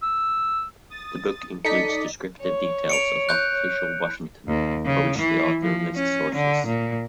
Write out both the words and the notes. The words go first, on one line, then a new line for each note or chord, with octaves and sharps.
The book includes descriptive details of official Washington, for which the author lists sources.
E6
D#6 A6
D#4 A4 D5 D#5 D#6 B6 C#7
C#5
C#7 D7 F7
F#6 G6
D#2
C#3
E3
F3
C#4
D3
A#2